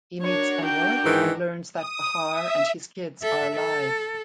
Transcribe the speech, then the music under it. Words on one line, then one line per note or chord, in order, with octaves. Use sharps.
He meets Enver and learns that Bahar and his kids are alive.
D4 F#4 A#4 C#5
G5
G#2 D#3 E3
D#6
E5
A4 E5
A4